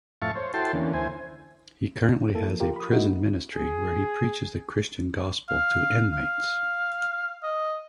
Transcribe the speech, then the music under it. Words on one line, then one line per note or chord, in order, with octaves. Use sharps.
He currently has a prison ministry, where he preaches the Christian gospel to inmates.
F2 A2 E5 F5 A5 C#6
C5 C#5
E4 F#4 A4 G5 A5 C6
E2 D3 E3 A#3 C#4
D2 E4 C5 G#5
A#3 E4 A4
F3
F4 G4 A#4
B5 D#6
A#3 D#4 E4 F#4
G#4
F5
F5
D#5